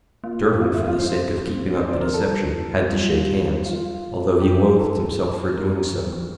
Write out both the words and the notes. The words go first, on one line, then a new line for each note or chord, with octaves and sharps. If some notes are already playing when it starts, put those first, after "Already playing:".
Durham, for the sake of keeping up the deception, had to shake hands, although he loathed himself for doing so.
A#3 F4
G4
F4
D3 E4
E3
F3 F4
G3 C5
F3
A#3
C4
D4
C4 C5
D5
F3
A#4
F3 A4
G3
F3
G3 F4
F4
F3 G4
A4
A#4
F3
E3
F3